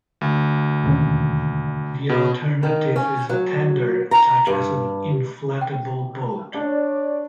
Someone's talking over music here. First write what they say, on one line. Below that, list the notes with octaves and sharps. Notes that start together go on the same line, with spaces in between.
The alternative is a tender such as an inflatable boat.
D2
E1 D#2 C#4
B2
D#3
C#4
F#3
A#5
G2
G5
D4 C#5 D5